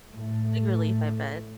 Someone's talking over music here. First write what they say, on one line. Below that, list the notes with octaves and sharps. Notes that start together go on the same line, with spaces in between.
big relief, I bet.
A2 A3